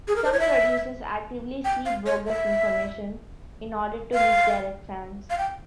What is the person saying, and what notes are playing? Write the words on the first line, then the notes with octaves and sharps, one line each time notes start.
Some producers actively seed bogus information in order to misdirect fans.
G#4
A#4
C5
C#5
E5
G5
F5
C#5
E5
F5
F5
G5